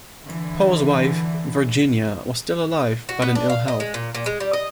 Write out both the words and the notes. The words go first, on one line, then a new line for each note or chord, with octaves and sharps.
Poe's wife, Virginia, was still alive, but in ill health.
D3 E3
F#4
B3
D4
F5
D#5
G#3
A#2
A#2
G#3
G3
D#5